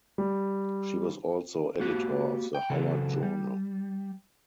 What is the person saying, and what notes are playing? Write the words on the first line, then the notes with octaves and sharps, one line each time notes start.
She was also editor of the "Howard Journal".
G3
A#3 F#4 G4
G5
C#3 E3 F#3 C4 A4
G3